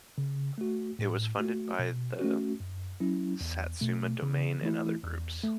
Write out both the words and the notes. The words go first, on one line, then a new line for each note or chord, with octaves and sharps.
It was funded by the Satsuma Domain and other groups.
C#3
A3 F#4
A2
A3 F#4
B2
A3 C#4 F#4
F#2
F#3 C#4 E4
E2
B2 A3
C#3
E3 A3 E4
E2
A3